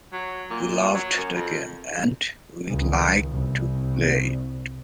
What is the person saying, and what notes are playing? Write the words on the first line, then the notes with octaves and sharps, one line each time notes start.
We loved the game and we liked to play it.
F#3
A#2
F#3
F#2
F2
C#2 D#3
C2